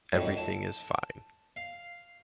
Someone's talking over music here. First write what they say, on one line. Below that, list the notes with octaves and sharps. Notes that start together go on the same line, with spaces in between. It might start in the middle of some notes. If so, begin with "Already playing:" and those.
Everything is fine.
F2 A2 D#3 F#3
A5
F5